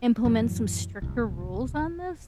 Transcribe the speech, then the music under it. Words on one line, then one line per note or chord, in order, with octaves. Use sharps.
implement some stricter rules on this?
F#2 A2 E3 F#3
D1 C2